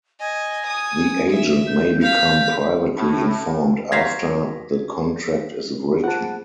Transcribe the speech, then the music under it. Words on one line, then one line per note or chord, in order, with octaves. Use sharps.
The agent may become privately informed "after" the contract is written.
D#5 G#5
D#6
E5
G6
F5 G6 B6
A2
F#3 C5 F5 G#6 A#6 B6
F4 G#4 C5 F#5 A5